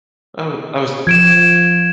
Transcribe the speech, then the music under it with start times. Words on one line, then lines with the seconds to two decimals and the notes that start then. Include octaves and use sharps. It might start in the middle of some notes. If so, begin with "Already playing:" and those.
I wa I was
1.07 F3 G#6 D7 E7